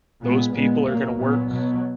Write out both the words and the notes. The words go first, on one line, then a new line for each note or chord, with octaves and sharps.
those people are gonna work
A#2 G#3 B3
A#2 G#3 B3
A#2 F#3 A#3
A#2 F#3 B3
B2 F#3 B3